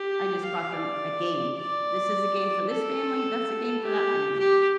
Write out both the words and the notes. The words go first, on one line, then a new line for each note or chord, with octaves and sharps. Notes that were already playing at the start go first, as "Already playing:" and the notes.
I just bought them a game, "This is a game for this family, that's a game for that family."
Already playing: G4
F5
D5
D5
A4
G4
G4